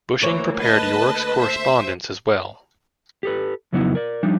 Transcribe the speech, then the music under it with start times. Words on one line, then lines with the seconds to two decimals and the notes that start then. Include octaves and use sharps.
Bushing prepared York's correspondence as well.
0.21 D2 E3 A#3 C#5
0.59 B4 D#5 A5
1.38 C5 E5
3.23 G4 A4 B4
3.72 F2 C#3 F#3 B3 D#4 E4
3.95 A#4 D5
4.23 F3 G3 D4 D#4